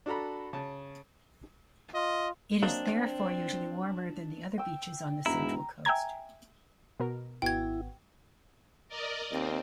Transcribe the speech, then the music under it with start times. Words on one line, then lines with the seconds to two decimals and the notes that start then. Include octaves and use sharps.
It is therefore usually warmer than the other beaches on the Central Coast.
0.06 D4 F#4 A4 A#5 B5
0.53 C#3 A5
1.94 F4 D#5
2.63 F#3 A#3 C4 D4 D#4
4.58 G5 E6
5.26 E1 G#2 E4 A#5
5.85 E5 G5 G#5 A#5 G#6
7.00 B2 A#4
7.42 G#1 B3 E4 F#4 G5 G#6
8.88 A#4 D5 D#5
9.31 D#2 C4